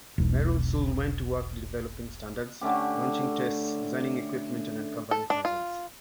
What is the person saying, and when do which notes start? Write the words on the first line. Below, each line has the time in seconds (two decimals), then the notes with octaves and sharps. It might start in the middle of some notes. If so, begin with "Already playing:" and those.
Merrill soon went to work developing standards, launching tests, designing equipment and uncovering hazards.
0.18 E1 B1
2.61 D3 A3 C#4 G4
5.11 A4
5.30 D4
5.45 F4